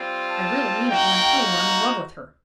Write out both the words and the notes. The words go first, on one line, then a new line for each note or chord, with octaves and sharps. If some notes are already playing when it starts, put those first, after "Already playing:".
"I really mean it when I tell you I'm in love with her."
Already playing: G3 C4 F4
A5
A#3 D#4 F#4 G5